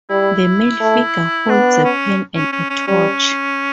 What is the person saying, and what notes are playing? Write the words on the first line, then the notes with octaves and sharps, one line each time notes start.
The male figure holds a pen and a torch.
G3 E4
A3
B3 D4
C#4
C#4
C#4
C#4
G3 C#4